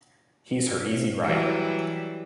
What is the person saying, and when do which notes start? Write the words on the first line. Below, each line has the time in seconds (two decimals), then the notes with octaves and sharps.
He's her easy rider.
1.24 E3 F#3 G3